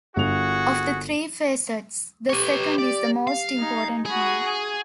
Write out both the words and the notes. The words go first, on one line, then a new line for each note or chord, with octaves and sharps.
Of the three facets, the second is the most important one.
G1 F#4 G#4 F7
G4 B4 C#5
D5
F5
D#4 G#5
F#4 G#4 B5
G#5